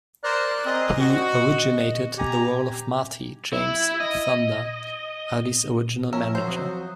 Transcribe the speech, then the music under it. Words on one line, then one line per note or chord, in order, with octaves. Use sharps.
He originated the role of Marty, James "Thunder" Early's original manager.
A#4 C5 D5 F#6
C4 G#4 A#4 D#5
F#4 D#5
G4 G#5 A#5
E4
D#5
F3 C#4 A#4 E5
F#3 C5
F3 C4 F#4 D#6